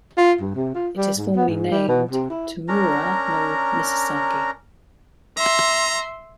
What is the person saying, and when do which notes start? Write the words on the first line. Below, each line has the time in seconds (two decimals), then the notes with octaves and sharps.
It is formally named "Tamura no misasagi".
0.17 F4
0.41 G2
0.55 C3
0.75 F4
0.97 G3
1.18 G#2
1.36 B3
1.48 G#2
1.71 G3
1.88 B2
2.11 C3
2.30 E4
2.68 C#4 D4 A#4 A#5
5.37 E5 A#5 C6